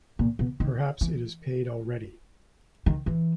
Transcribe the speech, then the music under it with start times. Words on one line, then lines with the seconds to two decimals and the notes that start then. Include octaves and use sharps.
Perhaps it is paid already.
0.19 A#2
0.39 B2
0.60 D#3
1.01 E3
2.86 D#3
3.06 E3